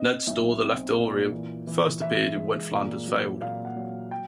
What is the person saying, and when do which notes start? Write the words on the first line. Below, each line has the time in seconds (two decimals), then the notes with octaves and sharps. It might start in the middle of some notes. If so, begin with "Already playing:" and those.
Ned's store "The Leftorium" first appeared in "When Flanders Failed".
Already playing: C4 D#5
0.27 B1 E5
0.62 C4
0.97 A#2
1.32 E3
1.67 E3
2.02 E3 E5
2.36 G#3
2.72 A#2
3.07 F#3
3.41 A#2 F5
3.65 F#5
3.76 F#3
4.11 G5